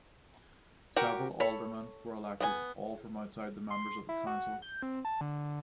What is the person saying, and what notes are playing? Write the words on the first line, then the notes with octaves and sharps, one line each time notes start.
Several aldermen were elected, all from outside the members of the council.
F#4 G4 A#4
A4 C#5 B5
B3 D4 G#5
C6
E4
F#4
G6
C4
A5
D3